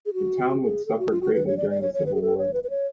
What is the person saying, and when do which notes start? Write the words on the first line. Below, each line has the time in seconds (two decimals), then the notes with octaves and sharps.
The town would suffer greatly during the Civil War.
0.06 G#4
0.14 F#4
0.62 G#4
0.86 A4
0.99 F#4
1.10 F4
1.21 F#4
1.34 B4
1.46 C#5
1.57 D5
1.70 D5
1.82 C#5
1.94 C#5
2.06 B4
2.15 G#4
2.22 A4
2.38 C#5
2.53 B4
2.64 B4
2.70 C#5